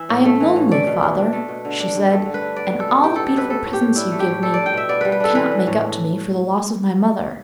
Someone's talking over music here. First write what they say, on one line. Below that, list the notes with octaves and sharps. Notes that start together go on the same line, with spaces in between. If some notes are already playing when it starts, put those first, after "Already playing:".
'I am lonely, father,' she said, 'and all the beautiful presents you give me cannot make up to me for the loss of my mother.
Already playing: E3 E5
A2
A3
E3
A2
A3 D5
B2
B2
D4
A3
B2
D3
D4
G2
A3
D3
B4
D4
B3 D5
B2
A4
B2
D4 G4
B3 A4
A4
B2 B4
A3 A4
A2
G4
A2
D4 E4
A3
G4
A2
G3 A4
D5
D4
G5
B2 E5
B3 D5
G3 B4
B4
D4 A4
E3 B4
D4
A2